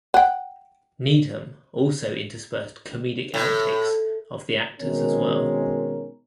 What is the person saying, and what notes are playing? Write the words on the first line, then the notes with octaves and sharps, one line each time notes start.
Needham also interspersed comedic outtakes of the actors as well.
F#5 G5
A2
B2 D#3 G#3 C4 C#4 A#4